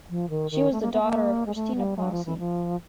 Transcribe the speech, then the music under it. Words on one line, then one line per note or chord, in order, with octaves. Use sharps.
She was the daughter of and Christina Posse.
F3
D#3
D#3
A3
A#3
B3
A#3
G#3
A3
G3
F#3
F3
E3
F3